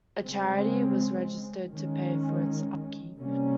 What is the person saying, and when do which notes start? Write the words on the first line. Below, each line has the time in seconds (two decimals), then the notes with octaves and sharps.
A charity was registered to pay for its upkeep.
0.23 C#3 G#3 C4
1.70 D#3 G#3 C#4
3.17 C3 G3 A#3 C#4